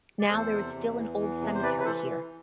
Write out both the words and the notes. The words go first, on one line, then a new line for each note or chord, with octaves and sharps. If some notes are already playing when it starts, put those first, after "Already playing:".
Now there is still an old cemetery here.
D5
E2 A4 C5
C3
E2
E3
E2
C3
C5
E3 B4 D5
B4
E3 A4 C5